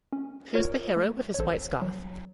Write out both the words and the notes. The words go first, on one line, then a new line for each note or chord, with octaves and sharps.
Pooh’s the hero with his white scarf.
C#4
F4 A#4 C#5
A3
C#5
A1 A4 C5
F#3